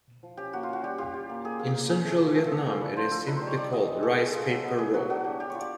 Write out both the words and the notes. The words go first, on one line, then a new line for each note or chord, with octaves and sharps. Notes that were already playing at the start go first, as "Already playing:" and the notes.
In central Vietnam, it is simply called "rice paper" roll.
F3
C#4 G4
A#3 F#4
F4
C#4 F#4
G3 G4
F4 G4
F4
A#3
A#3 G#4
A#3 G#4
A#3
C#4 G#4
A3
F4
A3 G#4
A3 G#4 A4
F3 A4
D4 B4
F3 C5
F3 A4
D#4 B4
G3 C5
C#5
G3 D5
G3 D#5
G#3 D#5
G#3 A4
G#3 A4
F4
F#3
B3
E4 G#4
F#3 F#4
D4 F#4
D4 G4
D4 G4
F4 C#5
D5